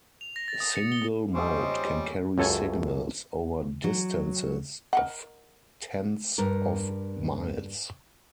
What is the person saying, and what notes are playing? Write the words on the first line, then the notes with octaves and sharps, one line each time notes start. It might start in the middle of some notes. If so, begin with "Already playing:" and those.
Single mode can carry signals over distances of tens of miles.
F7
A#6
A6
D#6
C#7
G7
F2 G#2 G3 C#4 C5 D#5 E5 D#6
C#2 F#2 A4 C#5 G#5
F#3
A#4 D#5 F#5
G2 A#4